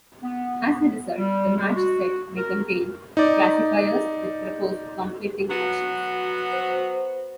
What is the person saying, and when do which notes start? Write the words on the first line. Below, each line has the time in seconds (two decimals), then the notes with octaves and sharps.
As a result, the match set may contain classifiers that propose conflicting actions.
0.23 B3
1.19 G3
1.57 G#3
1.76 F#4
2.37 A#4
3.17 D#4 D5
5.50 F#3 B3 F#4
6.52 C5